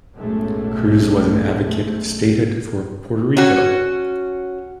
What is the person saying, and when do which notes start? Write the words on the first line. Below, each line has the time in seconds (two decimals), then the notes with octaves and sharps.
Cruz was an advocate of statehood for Puerto Rico.
0.16 B1 F#2 A2 G#3 A3
3.37 C#4 F#4